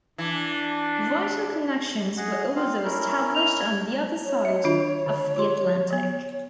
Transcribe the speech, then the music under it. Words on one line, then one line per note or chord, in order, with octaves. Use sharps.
Vital connections were also established on the other side of the Atlantic.
E3 D4
G#4 D#5 F#5
C4 F4 F5
C#4 E4 A#4
F7
G#6
C#5
D#5 E5
D#3 D4 F4
D3
F4 G4 C6
F#3 B3